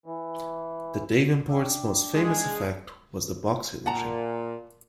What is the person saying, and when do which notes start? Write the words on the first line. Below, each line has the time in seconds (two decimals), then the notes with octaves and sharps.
The Davenports' most famous effect was the box illusion.
0.06 E3
1.49 D4 E5 G5
2.15 G#3 G#4
3.86 A#2 F#5 A5 A#5